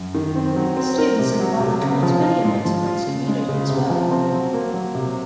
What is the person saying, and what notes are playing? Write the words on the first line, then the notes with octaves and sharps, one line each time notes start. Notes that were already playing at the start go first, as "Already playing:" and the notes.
Stevenson College holds many events for its community as well.
Already playing: F#2
D#3
C4
F#3
C4
A#4
C3
F#3
C3
C#3
F3
F4
G#2
F3
F4
C#3
G#3
C#3
C3
F3
C4
F#3
A#3
F#3
C3